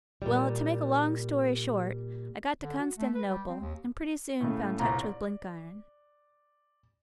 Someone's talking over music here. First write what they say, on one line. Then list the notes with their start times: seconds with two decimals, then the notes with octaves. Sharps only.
'Well, to make a long story short, I got to Constantinople, and pretty soon found touch with Blenkiron.
0.22 A#2 G3
2.62 D3
2.78 F#4
2.97 A3
3.15 B4
3.28 G3
3.49 C4
3.61 D#2
4.40 A2 C#3 A3
4.79 G1 C2 A#2 A#5
5.02 D5